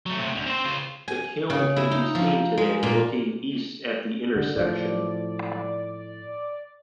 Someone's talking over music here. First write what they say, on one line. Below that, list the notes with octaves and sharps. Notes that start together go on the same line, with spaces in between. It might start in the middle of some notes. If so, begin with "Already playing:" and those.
The kiln can be seen today looking east at the intersection.
F#3 A3
A2 C3
D2
C4 C5
C#3 F4
G#5
C#3
E4
D#4
F3
G#3
A#2
D3
A2 F3 D5